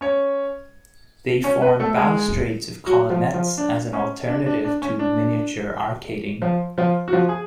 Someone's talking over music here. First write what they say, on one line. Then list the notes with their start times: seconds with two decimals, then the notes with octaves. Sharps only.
They form balustrades of colonnettes as an alternative to miniature arcading.
0.01 C#4 C#5
1.43 C#4 C#5
1.62 B3 B4
1.80 A3 A4
1.97 G#3 G#4
2.86 F#3 F#4
3.10 F3 F4
3.34 F3 F4
3.58 D4
3.93 C#4
4.28 D4
4.46 D4
4.65 D4
4.82 C#4
4.99 D4
6.42 F3 F4
6.78 F3 F4
7.08 F#4
7.13 F3 F4
7.29 G#4